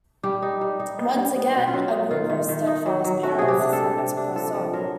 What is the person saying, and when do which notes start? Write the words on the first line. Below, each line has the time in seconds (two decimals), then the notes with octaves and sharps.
Once again a group of steadfast parents decided to press on.
0.23 G3 G4
0.42 D#4
0.61 G3
0.80 D#4
0.98 B3
1.17 G3
1.36 B3
1.55 B2
1.68 F4
1.73 F#3 F#4
1.92 D#4
2.11 D#3 F4
2.30 D#3
2.48 D#3
2.67 D#4
2.86 F#3
3.04 F#3
3.23 A3 F#4
3.39 C3 G#4
3.48 G4
3.61 D4
3.73 A4
3.79 C3
3.98 C3
4.17 D4
4.36 F3 A4
4.54 F3
4.73 F#3 A#4